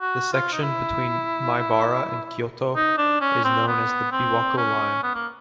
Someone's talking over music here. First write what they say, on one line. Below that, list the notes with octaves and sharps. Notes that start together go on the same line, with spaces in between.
The section between Maibara and Kyoto is known as the Biwako Line.
F#4
F4
D#4
E4
D#4
D4
C#4
C4
B3
C4
C#4
B3
A#3